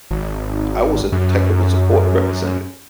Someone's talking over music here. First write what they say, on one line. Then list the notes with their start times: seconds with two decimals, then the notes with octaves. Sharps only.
I was a technical support representative,
0.11 G#1
1.12 F#2